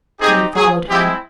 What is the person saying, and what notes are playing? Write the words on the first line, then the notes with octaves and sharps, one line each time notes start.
We followed him.
C4 D#4 G4 G#4
G#4
G#3 C4 E4 G4